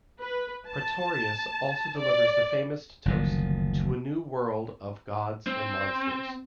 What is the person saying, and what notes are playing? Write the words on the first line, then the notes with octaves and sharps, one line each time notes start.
Pretorius also delivers the famous toast To a new world of gods and monsters!
B4
A5
D5
F#1 D2 D#3 F3
C4